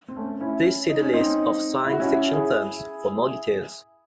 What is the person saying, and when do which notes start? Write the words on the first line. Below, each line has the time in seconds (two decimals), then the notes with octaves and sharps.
Please see the list of science fiction films for more details.
0.08 C4
0.16 A3 C#4
0.41 C#4 E4
0.89 D#4
1.01 C#4
1.13 C4 D#4
1.85 E4
1.92 F#4
2.00 C#4 E4
2.33 E4 G#4